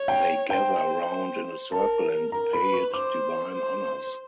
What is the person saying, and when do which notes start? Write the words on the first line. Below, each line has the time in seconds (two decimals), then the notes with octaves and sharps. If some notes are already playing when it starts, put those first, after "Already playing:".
They gather round in a circle and pay it divine honors.
Already playing: C#5
0.08 G5
0.50 C5 G5
1.72 A#4 A5
2.32 A#4 A#5
2.53 B5
2.63 B4
2.73 C#6
2.94 C5 D6
3.55 C5